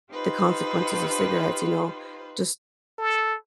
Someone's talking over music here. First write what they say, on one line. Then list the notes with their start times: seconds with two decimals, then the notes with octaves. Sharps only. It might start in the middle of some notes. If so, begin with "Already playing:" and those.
the consequences of cigarettes, you know, just
0.12 D#4 F4 G4 B4 C5
2.99 A4